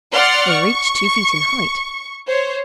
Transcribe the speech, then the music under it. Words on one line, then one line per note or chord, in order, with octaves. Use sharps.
They are each two feet in height.
D5 F#5 C6 F6
C#6
C5 C#5